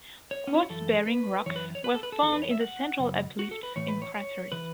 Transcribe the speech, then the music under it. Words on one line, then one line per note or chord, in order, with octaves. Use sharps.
Quartz-bearing rocks were found in the central uplifts in craters.
C#5
C#4
E4
F#4
F#2 E3 A4
B4
F#2 E3 C#5
B4
C#5
B4
A4
B4
A4
E2 E3 A4
B4
C#5
E5
F#5
F#2 C#3
F#4
A4
B4
A2 E3 C#5
B4
C#5
C#5
C#3 E3 B4